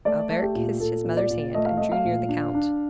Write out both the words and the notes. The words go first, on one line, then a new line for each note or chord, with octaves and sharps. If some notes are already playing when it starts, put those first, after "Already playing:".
Albert kissed his mother's hand, and drew near the count.
A3 D5
A3
G4
A#2
A#2 A4
A#2
D5
A#2
A3 D#5
F5
A3 D#5
F5
A#2
D4
D4